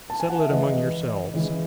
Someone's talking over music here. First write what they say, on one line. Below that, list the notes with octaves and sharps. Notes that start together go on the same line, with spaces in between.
'Settle it among yourselves.
A5
G#5
F#5
E5
C#3 E3 G#3 B4 D#5
C#3 E3 G#3